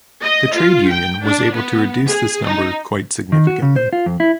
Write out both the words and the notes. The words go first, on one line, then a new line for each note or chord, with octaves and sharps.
The trade union was able to reduce this number quite significantly.
D#5
F4
G5
D4
B3
G#4
D#4
D#3
F#4
C#3
C5
F4
F2
E4